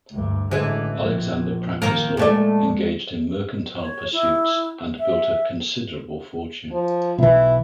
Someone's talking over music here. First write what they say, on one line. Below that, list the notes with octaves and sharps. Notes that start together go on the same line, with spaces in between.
Alexander practiced law, engaged in mercantile pursuits, and built a considerable fortune.
D2 G2
A1 D3 E3 G#3
A#1
D#3 A#3 A#4
A#2 G#3 A3 D5
C#5
E4
E5
F3
B1 E3 E4